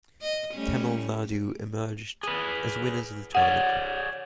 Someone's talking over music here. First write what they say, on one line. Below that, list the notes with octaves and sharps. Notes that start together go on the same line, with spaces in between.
Tamil Nadu emerged as winners of the tournament.
D#5
G3 A3 C#4
G#4 B4
G#4 C#5 D5 F#5